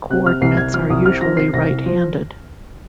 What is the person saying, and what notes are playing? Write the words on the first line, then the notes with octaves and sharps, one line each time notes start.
Coordinates are usually right-handed.
C3 F#6
C3 F6
C2 C7
C2 G#6
F3 F6
C2 D#6
C3 F6
F3 A#6
C3 C7
C2 A#6
C2
F3